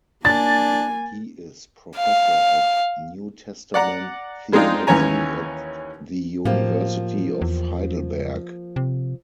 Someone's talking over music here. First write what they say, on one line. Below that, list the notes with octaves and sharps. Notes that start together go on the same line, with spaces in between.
He is Professor of New Testament Theology at the University of Heidelberg.
A#3 D4 G#5 A6
F5
D5 F#5 A#5
F3 G#3 C4 D4 D#4 F4
D#2 E3 C#4 C#5 G#5 A#5
A2 F3 A#3 G4
E2
C3